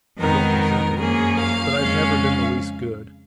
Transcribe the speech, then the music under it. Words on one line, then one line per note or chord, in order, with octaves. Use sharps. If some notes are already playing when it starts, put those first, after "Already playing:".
I don't resent it--but I have never been the least good.
F2 D#3 G#3 B3 D#4 A#4
A#4
F#2 F3 A#3 C#4 G#4
F5
F2 C#3 G#3 C#4